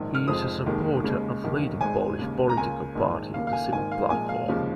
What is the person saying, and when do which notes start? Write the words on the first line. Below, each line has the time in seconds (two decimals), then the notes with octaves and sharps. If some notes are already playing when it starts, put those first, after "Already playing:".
He is a supporter of leading Polish political party, the Civic Platform.
Already playing: A#1 G#2 D#3
0.15 F6
0.28 F1 F2 F3 G#3 D#6
0.66 F1 D#2 D#3 G#3
1.04 D#2 C#3 G#3
1.43 F1 D#2 D#3 A#3
1.81 G#1 G#2 G#3 G#5
2.19 D#2 C#3 G#3
2.49 A#5
2.57 C#2 C#3 A#3 G#5
2.95 A#1 G#2 D#3 G#3
3.34 D#2 C#3 A#3 F5
3.47 F5
3.53 G#5
3.72 G#1 G#2 D#3 A#3 G#5
3.92 F5
4.10 A#1 A#2 G#3 G#5
4.29 F5
4.48 F1 D#2 C#3 F3 G#3